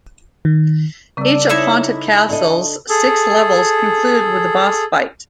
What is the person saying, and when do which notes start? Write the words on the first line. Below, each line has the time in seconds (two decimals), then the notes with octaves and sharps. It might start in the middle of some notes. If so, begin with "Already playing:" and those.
Each of "Haunted Castle"'s six levels conclude with a boss fight.
0.45 D#3
1.17 C#3 G3 C4 A4 D5
1.50 D#4 E4 C#5 D5 E5 A5 B5
2.29 D4 A4 D#5
2.89 G#4 A4